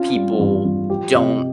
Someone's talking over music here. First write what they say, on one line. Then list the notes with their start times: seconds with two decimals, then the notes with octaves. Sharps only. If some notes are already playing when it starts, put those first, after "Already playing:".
people don't
Already playing: C#4 F4
0.15 G3
0.40 G2
0.65 G2
0.90 F3 G4
1.14 C3 D#5